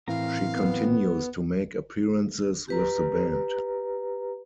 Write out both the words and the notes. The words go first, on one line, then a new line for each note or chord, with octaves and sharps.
She continues to make appearances with the band.
A2 E3 C4 E4 A#4 F5 A#5
B3
G4 B4 A#5